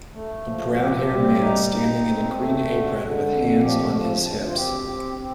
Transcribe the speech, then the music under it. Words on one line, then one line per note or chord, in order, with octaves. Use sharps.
A brownhaired man standing in a green apron with hands on his hips.
A3
F3
C4 G4
G3
D#4
D#4
C4
A3
D3
D3
F2
F3 G4
F3
D2
F4
C4 G4
C4
C4